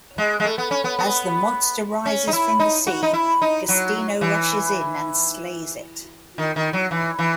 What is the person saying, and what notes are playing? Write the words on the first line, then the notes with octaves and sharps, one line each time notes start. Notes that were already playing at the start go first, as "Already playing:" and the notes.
As the monster rises from the sea, Giustino rushes in and slays it.
G#3
G#3
A3
B3
C#4
B3
B3
C#4
D#4
E4
D#4
F#4
D#4
E4
D#4
F#3
E3
D#3
D#3
F#3
E3
E3